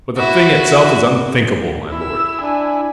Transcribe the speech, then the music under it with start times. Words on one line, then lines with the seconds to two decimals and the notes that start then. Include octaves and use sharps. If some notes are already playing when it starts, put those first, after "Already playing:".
But the thing itself is unthinkable, my lord.
0.16 E4 F#4
1.92 E4 E6
2.41 D4 G#5